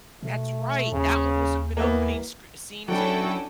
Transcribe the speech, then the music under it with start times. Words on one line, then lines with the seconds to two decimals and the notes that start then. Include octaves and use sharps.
That's right. That one was a good opening scr scene, too.
0.23 B2 A3
0.92 D#2 C#3
1.77 E3 A#3 B3
2.88 F#3 C#4 D4 E4 F#4 A4 F#5 G5